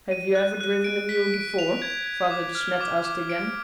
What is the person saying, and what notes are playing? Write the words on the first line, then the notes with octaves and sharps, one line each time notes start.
"Have you ever driven a mule before?" Father De Smet asked again.
D#7
F#6
F#6
D7
B6
D7
F7
G#6
G#6
D6
F6
D6
D6
D7